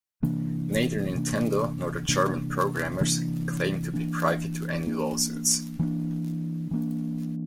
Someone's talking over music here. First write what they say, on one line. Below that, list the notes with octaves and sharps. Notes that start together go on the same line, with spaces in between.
Neither Nintendo, nor the German programmers claim to be privy to any lawsuits.
C3 E3 A#3 D4
C3 E3 A#3 D4
C3 E3 A#3 D4
C3 E3 A#3 D4
E3 A#3 D4
E3 A#3 D4
E3 A#3 D4
E3 A#3 D4